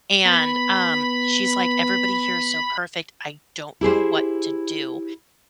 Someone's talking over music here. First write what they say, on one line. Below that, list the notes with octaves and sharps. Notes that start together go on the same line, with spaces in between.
And, um, she's like, "Everybody here is so perfect. I don't know what to do."
B3 B5
E4 G4 G#4 C5